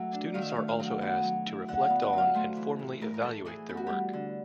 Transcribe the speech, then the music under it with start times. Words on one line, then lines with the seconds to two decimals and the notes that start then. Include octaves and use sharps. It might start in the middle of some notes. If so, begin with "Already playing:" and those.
Students are also asked to reflect on and formally evaluate their work.
Already playing: F#3 A3 E5
0.13 D4
0.34 D#3 F5
0.42 E5
0.50 F5
0.57 A3
0.68 F5
0.79 F#3
1.01 B3 F#5
1.23 F#3
1.46 E4
1.68 D3 F#5
1.84 F5
1.90 B3
2.02 F#5
2.13 F#3 F5
2.34 A3 C5
2.57 E3
2.79 A2
3.01 A2 A#4
3.14 A#4
3.23 A3 A4
3.45 E3 G#4
3.69 B3 G4
3.77 F#4
3.87 G3 G4
4.13 D3